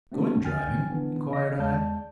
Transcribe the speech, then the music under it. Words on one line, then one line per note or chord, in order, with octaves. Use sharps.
"Going driving?" inquired I.
A3 A#3 C4 D4 F#4
D3 G5 G#5 F6 A6
D3 E3 B3 D4
C#3 D#5 A#6
E2 G#3 D5 A5 G6